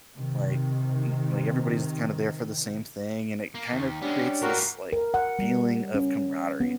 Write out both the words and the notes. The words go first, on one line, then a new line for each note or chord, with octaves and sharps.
Like, m like, everybody's kinda there for the same thing, and it kind of creates this, like, feeling of camaraderie,
C3 D#3
A#3
D#2
G#3 B3 C#4 D4 G4 D5
A2 A#3 F#4 A#4
A#4
F#5
G3
C#4
B3